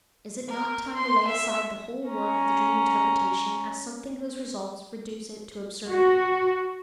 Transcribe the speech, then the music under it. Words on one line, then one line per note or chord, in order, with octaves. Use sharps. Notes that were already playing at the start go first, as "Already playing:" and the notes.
Is it not time to lay aside the whole work of the dream interpretation as something whose results reduce it to absurdity?
A#4
C6
E5
C#4 A#5
F#4